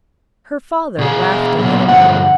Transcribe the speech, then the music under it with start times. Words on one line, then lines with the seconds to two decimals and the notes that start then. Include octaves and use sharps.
Her father laughed a little.
0.99 B2 G#4
1.59 A#2 F#3 B3
1.88 G2 D3 F3 F#5